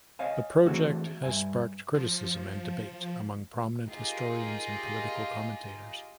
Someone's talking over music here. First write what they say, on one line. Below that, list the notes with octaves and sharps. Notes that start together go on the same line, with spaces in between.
The project has sparked criticism and debate among prominent historians and political commentators.
C#5 D#5 F5 G#5
E3 A3 C4 D4 F#4 G#4
G2 D#3 E5 G#5
F3
D#4 F4 G4 G#4 A#4 D#5